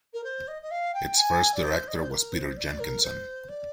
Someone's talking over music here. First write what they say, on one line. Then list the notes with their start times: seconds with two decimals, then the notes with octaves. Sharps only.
Its first Director was Peter Jenkinson.
0.13 A#4
0.24 C5
0.48 D#5
0.62 D#5
0.71 F5
0.94 G5
1.17 G#5
1.54 D5
1.63 C5
1.88 D#5
1.95 D5
2.03 C5
2.10 A#4
2.33 C5
2.57 D5
2.79 A#4
3.03 C5
3.49 D5